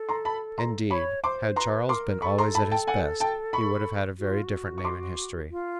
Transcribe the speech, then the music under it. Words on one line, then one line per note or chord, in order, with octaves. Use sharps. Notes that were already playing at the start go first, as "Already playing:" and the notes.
Indeed, had Charles been always at his best he would have had a very different name in history.
Already playing: A4
A#5 C6
A5 B5
A#5 C6
C#5 B5 C#6
C5 C6 D6
B4 A#5 C6
A#4 C6 D6
A4 B5 C#6
A#5 C6
A5 B5
G5 A5
F#5 G#5
G5 A5
B5 C#6
F#4
F4
F#4
C#6
C6 D6
F4